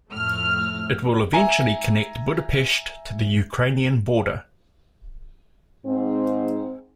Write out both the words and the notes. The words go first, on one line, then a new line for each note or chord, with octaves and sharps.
It will eventually connect Budapest to the Ukrainian border.
F2 A2 A3 F6
E5 G#5 A#5
G#2 C4